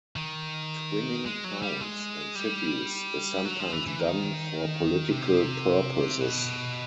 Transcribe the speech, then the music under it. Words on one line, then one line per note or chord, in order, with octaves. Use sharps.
Twinning towns and cities is sometimes done for political purposes.
D#3
G#3
F#3
G3
G#3
G3
F#3
F3
E3
E3
D#3
C3
B2